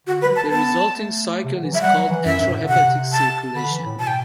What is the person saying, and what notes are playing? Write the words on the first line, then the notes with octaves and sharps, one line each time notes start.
The resulting cycle is called enterohepatic circulation.
D3 F#4
G3 B4
F#3
A5
B3 A5
A3
C3
D3
E3
F#3 E5
G3 F#5
F#3
E3
F#2 E5
G2
B2
A2
D3
C3 F#5
A5
D3 B5
E3
A2
B2 A5
G5